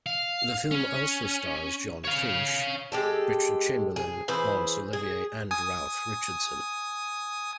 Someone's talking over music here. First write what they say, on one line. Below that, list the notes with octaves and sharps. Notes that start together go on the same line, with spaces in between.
The fim also stars Jon Finch, Richard Chamberlain, Laurence Olivier and Ralph Richardson.
F5
C#4
C#5 F5
G#3 G4 A4
G#4
E3 G#4 B4 C5
G#4
G#5 D#6